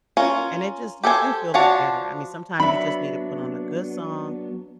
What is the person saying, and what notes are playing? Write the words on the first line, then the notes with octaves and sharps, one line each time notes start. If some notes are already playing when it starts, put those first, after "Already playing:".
And it just you do feel lot better, I mean, sometimes you just need to put on a good song
C#4 F4 A#4
G4 A4 C5 G#5
F3 D4 F#4 C#5 A5
F#3 B3 D4 E5 B5